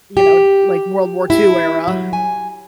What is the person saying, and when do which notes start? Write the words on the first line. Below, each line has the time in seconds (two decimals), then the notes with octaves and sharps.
you know, like World War II era.
0.17 G4
1.30 E4
1.88 F#3
2.13 G#5